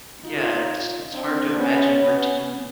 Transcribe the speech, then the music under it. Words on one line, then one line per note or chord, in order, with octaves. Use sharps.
Yeah. It's it's hard to imagine routine.
D#4 F4
C4 D4
B3 C#4
B3 C#4